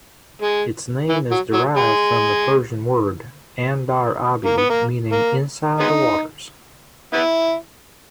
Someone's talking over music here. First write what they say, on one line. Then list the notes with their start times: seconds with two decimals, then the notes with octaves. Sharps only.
Its name is derived from the Persian word "Andar-abi" meaning "Inside the waters".
0.42 G#3
1.10 E3
1.31 F#3
1.53 F#3
1.77 G#3
4.46 A#3
4.58 B3
4.70 A#3
5.12 A#3
5.80 G#3 B3 D#4
7.13 B3 E4